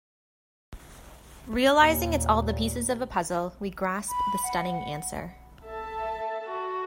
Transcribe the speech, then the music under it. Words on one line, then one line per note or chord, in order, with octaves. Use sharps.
Realizing it's all the pieces of a puzzle, we grasp the stunning answer.
D#2 A#2
B5
F#5
A4 E5 A5
F#4